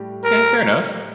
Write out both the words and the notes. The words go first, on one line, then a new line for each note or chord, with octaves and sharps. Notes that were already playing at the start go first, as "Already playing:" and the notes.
Okay. Fair enough.
Already playing: A2 G3 G4
A#4